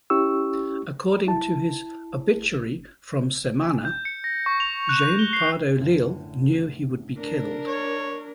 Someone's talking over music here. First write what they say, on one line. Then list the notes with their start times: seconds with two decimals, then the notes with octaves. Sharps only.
According to his obituary from Semana, Jaime Pardo Leal knew he would be killed.
0.10 C#4 E4 G4 C#6 E6
1.27 E4 A5
3.85 G6
4.05 C#7
4.24 A#6
4.46 C#6
4.60 F7
4.89 F#6
5.02 G6
5.19 G7
5.33 C7
5.77 F#2 A2 D3
7.18 D4 A#4
7.67 C#5